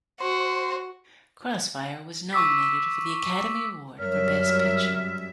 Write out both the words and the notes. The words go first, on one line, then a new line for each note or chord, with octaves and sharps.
"Crossfire" was nominated for the Academy Award for Best Picture.
F#4 C5
C#6 D6 E6 B6
F#2 G3 A#4 C#5 E5 F6